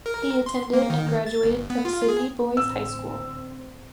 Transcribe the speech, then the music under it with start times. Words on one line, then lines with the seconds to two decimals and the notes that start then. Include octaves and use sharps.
He attended and graduated from Sydney Boys High School.
0.06 A#4
0.46 C6
0.73 A#3
0.90 D#3
1.26 A6
1.43 G1
1.70 B3
1.85 F4
2.09 G#4
2.57 A1 D3 C4 E6